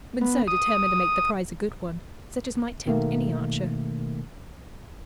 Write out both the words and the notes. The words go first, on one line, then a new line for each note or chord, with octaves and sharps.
Monceux determined to make the prize a good one, such as might tempt any archer.
B3
D#6
B2 D#3 A3 A#3